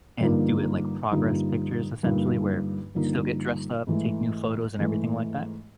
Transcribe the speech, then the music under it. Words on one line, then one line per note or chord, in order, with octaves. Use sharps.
and do it, like, progress pictures essentially where we still get dressed up, take new photos, and everything like that.
G2 D3 F3 A#3 D#4
G2 D3 F3 A#3 D#4
G2 D3 F3 A#3 D#4
G2 D3 F3 A#3 D#4
G#2 E3 A3
G#2 E3 A3